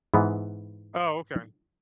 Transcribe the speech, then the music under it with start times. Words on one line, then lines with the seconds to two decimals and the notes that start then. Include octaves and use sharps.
Oh, okay.
0.14 G#2 E3 B3